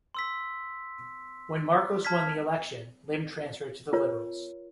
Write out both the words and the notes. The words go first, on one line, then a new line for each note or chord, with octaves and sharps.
When Marcos won the election, Lim transferred to the Liberals.
C6 E6 B6
A5 F6 G#6 B6
F4 A#4 C#5